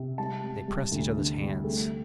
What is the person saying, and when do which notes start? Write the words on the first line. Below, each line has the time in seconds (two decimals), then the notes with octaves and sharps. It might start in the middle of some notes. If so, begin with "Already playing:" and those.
They pressed each other's hands.
Already playing: C3
0.18 G3 A5
0.43 G3
0.68 G3
0.92 D2
1.16 D3
1.41 G3
1.64 A3